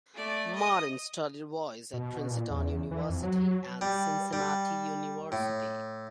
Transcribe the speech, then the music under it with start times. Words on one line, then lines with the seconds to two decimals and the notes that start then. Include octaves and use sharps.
Martin studied voice at Princeton University and Cincinnati University.
0.14 A3 D5
0.55 D#5 D#6
1.93 B2
2.13 B2
2.31 A#2
2.50 E2
2.91 E3
3.10 F2
3.23 F#3
3.46 F#3
3.81 G3
4.33 G3
5.32 A2